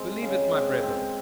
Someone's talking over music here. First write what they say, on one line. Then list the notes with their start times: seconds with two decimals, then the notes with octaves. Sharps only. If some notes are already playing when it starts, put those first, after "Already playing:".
Believe it, my brethren!
Already playing: G#3 C4
0.22 C#3
0.52 C4
0.83 C4